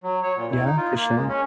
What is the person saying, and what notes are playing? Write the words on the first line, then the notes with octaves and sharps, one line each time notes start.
Yeah, for sure.
F#3
C#5
A#2
E4
D#4
F4
A#3
G#3
C#4